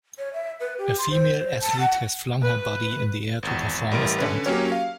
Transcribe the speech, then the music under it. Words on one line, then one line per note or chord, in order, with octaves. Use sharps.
A female athlete has flung her body in the air to perform a stunt.
C#5
E5
B4
G4
C6
C5
C5
A5
F#5
B4
G#1 E2
A1 G3 E4 A#4 D7
D3 C#4 B4
F#3 A#3 C#4 G4 A#4 C#5
F5